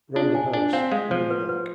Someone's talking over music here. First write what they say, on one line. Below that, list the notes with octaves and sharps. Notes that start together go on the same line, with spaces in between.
Random House.New York.
D4 F4
G#5
D4 G#5
C4 F5
G#3 F5
F3 C5
B4
B4